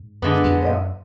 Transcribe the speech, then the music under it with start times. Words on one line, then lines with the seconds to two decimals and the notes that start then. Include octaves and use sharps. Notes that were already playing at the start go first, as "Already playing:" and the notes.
Seat belt.
Already playing: G#2
0.22 F#2 D3 G#3 B3
0.44 F2
0.67 F#2